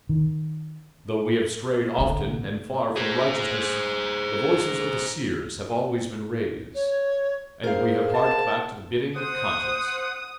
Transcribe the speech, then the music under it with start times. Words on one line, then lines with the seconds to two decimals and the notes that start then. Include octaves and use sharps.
Though we have strayed often and far from righteousness, the voices of the seers have always been raised, and we have harked back to the bidding of conscience.
0.09 D#3
1.98 A1 D3
2.96 G#4 C5
6.75 C#5
7.64 G#4 A#4 C5 F5
8.12 A5
9.16 C5 F#5 D#6